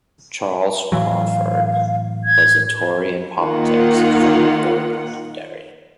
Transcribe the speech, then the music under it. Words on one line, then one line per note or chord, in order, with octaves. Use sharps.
Charles Craufurd was a Tory in politics, friend of Lord Londonderry.
A2 E3 F#3 F5
G#6
D#3 A#3 F4 F#5